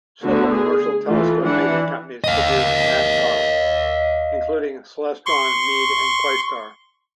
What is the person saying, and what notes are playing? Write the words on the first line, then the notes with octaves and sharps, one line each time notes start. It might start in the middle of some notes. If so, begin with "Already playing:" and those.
Several commercial telescope-making companies produce Maksutovs, including Celestron, Meade, and Questar.
D3 A3 B3 F#4
G#4
E3 A3 F4
E3 D4 F#5
D#5 F5
C6 C#6